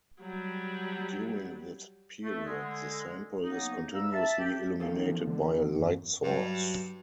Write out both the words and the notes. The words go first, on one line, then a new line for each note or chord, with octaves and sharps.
During this period, the sample is continuously illuminated by a light source.
F#3 G3
A3
D3 G#3
C#3 F#3 A#3 B3 D#4
E2 G3 G4 F5 A#5 E6
E5 A5
G4
E2 D#3 A4 F5
F3
D3
F#2
G2 F#3